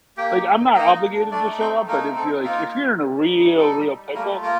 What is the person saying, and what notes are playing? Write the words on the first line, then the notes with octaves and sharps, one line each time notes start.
Like, I'm not obligated to show up, but if you're, like, if you're in a real real pickle,
A#3 G4 G5
D#4
D#4
A#3 D#4 D#5
A#3
D4
A3 D4 D5
D#4
C4 C5
A3
A#3 D#4 A#4
C4
A4
D#4
A#3 F4 A#4
F4
A#3
G3
D#4
G3
D#4 A4
G3
G3
A3 A#3 A#4
F4
A#3 A#4